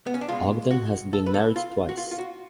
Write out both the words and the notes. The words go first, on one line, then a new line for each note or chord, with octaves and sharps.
Ogden has been married twice.
B3
C#4
D4
B2 G#3 F4
F#4
A4
B4
A4
F4
F#4
F4
F4
F#4